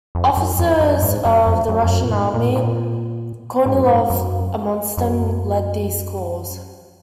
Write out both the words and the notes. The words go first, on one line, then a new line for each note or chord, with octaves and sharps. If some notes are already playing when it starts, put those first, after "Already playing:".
Officers of the Russian Army, Kornilov amongst them, led these calls.
F2
F#2
F2
F#2
G#2
F#2
F2
F#2
F2
F#2
A#2
G#2
A#2
G#2
A#2
G#2
F#2
G#2
F#2
F#2